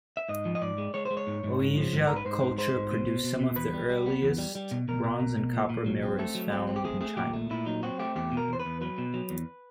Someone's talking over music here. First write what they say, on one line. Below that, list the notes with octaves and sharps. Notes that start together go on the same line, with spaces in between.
Qijia culture produced some of the earliest bronze and copper mirrors found in China.
E5
G#2 D#5
F3
D#5
G#2 D5
G#3
G#3 C#5
C5
G#3
C#5
G#2
G#2
G#2
F3
G#2
G#2 A#4
B4
G#2 C5
G#2
G#3 C5
G#2
B2
B2
B2
B2
E2 B4
G3
G3
B3
E2
G3
G3
B2
B2 A#4
B2
B2
B2
A#2
A#2
F#3
C4
A3 A4
F#3
C4
C4
G4
A3 G#4
A3 G#4
A#2 G4
A3
A#2 E4
F#3 D#4
C4 F#4
A3 G4
E2 G4
B2
A#4
E2 C5
B4
E2
F#3 B4
B2
F#3
E2